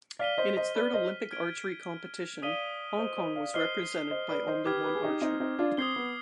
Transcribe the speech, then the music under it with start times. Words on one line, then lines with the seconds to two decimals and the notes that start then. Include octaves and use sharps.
In its third Olympic archery competition, Hong Kong was represented by only one archer.
0.19 D5 F5 F6 B6 D#7 G7
0.38 C5 D#5
0.57 C5 D#5
0.75 B4 D5
0.93 C5 D#5
1.31 F6 G#6 D7 G7
2.42 D5 F5 D#6 B6 D#7 G7
2.98 C5 D#5
3.17 C5 D#5
3.35 D5 F5
3.54 C5 D#5 F6 C7 G7
4.10 C5 D#5
4.29 B4 D5
4.47 C5 D#5
4.66 G4 B4 D6 F6 G#6
4.84 G4 B4
4.95 G#4
5.03 D#4 G4
5.21 C4 D#4
5.40 C4 D#4
5.59 D4 F4
5.77 C4 D#6 G#6 C7 G7
5.96 B3